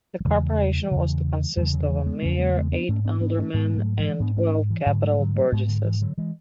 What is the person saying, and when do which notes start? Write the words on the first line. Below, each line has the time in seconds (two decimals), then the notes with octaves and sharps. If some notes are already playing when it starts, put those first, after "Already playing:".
The corporation was to consist of a mayor, eight aldermen and twelve capital burgesses.
0.20 F#3
0.25 E2 C#3 E3 G#3
0.91 E2 C#3
1.57 E2 C#3 F#3 A3
1.73 D3 F#3
1.90 E3 G#3
2.06 G#3 B3
2.22 E2 C#3 A3 C#4
2.39 G#3 B3
2.55 G#3 B3
2.72 B3 D4
2.88 G#2 A3 C#4
3.05 B3 D4
3.21 B3 D4
3.38 A3 C#4
3.54 G#2 G#3 B3
3.76 F#3 A3
3.98 E3 G#3
4.20 G#2 B3 D4
4.37 A3 C#4
4.70 E3
4.86 G#2 D3 F#3
5.03 F#3 A3
5.19 D3 F#3
5.35 F#3 A3
5.52 G#2 G#3 B3
5.69 D3
5.85 E3
6.01 D3 F#3
6.18 E3 G#3